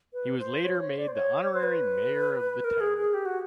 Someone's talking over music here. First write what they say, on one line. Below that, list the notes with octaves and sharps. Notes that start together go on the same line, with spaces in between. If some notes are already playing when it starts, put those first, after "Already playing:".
He was later made the honorary mayor of the town.
B4
C5
C#5
C#5
D5
C5
C#5
C#5
C5
B4
A#4
G#4
G#4
G4
F#4